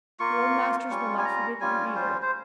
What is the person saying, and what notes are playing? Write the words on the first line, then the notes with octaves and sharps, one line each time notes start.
Your old masters will not forget you either.
A#3 F4 C#6
G3 C#4 F4 C#6
G#5
A#5
G3 C#4 F4 G#5
C#5
C5
C5